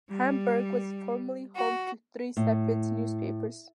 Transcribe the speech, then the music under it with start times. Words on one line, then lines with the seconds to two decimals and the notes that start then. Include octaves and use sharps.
Hamburg was formerly home to three separate newspapers.
0.11 G3
1.55 F#4
2.37 A2